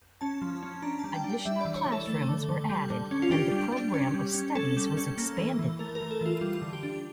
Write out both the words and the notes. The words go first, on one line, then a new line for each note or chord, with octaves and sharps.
Additional classrooms were added and the program of studies was expanded.
C#4 A5
F3
C#4
D4 A#5
G3 A5
G5
D4
G5
G3 E5
E3 D5
C#5
E3
A4
A3
D3
D3
G3
D3
C#4
F4
D4 G4
G3
D4
C#4
G3
C#4
C#4 A4
G3
C#4
A#3
E3
E3
A3 A#4
A#4
E3
A4
E3 F4
G3 F4
D3
G4
D4